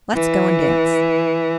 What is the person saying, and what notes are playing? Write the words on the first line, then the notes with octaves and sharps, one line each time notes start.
Let's go and dance.
E3